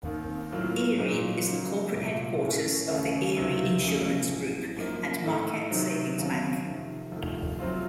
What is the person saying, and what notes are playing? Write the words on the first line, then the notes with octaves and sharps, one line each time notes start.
Erie is the corporate headquarters of the Erie Insurance Group, and Marquette Savings Bank.
D#2 D#3 A#3
A2 F#3 A#3 F4
A#2 F#3 C4 D#4
C#3 F#3 A#3 D#4 F#4
C2 A#2 F#3
A2 A3 C#4
D#2 C#3 A3 C#4
C#2 C3 D#3
F1 F2 C#3 A3 C#4
A1 A2 F#3
F#2 F3 A#3 D#4
A2 A3 D#4 A4
C3 D#3 F#3
D#2 C#3 F#3
F2 C3 D#3
F2 C3 D#3 A3
C3 F#3 C4 F4